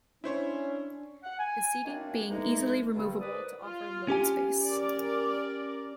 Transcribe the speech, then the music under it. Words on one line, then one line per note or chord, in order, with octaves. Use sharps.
The seating being easily removable to offer load space.
C#4 D4 E4 C5 C#5
F#5
G#5
F#2 D#3 A#3 C4 D4
D3 E3 G#3 D#4
G2 D3 G3
D#2 G#2 B4 C5 D5 D#6
F4
C#4 G4 G#5
A#4 D5